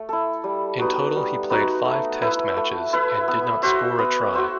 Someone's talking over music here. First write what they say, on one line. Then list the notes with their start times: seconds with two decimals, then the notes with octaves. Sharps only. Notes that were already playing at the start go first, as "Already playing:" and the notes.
In total he played five test matches and did not score a try.
Already playing: A3
0.09 E4 A4
0.44 G3
0.79 B3 D#4 F#4
1.16 G3
1.50 B3 D#4 F#4
1.85 A3
2.22 E4 B4 E5
2.57 A3
2.93 E4 B4 E5
3.28 B3
3.62 F#4 C5 E5
3.99 B3
4.33 F#4 C5 E5